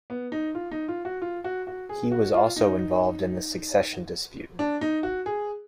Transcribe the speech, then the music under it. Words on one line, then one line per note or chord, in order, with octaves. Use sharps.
He was also involved in the succession dispute.
B3
D#4
F4
D#4
F4
F#4
F4
F#4
F#4
G#4
F#4
F4
D#4
D4
D#4
F#4
G#4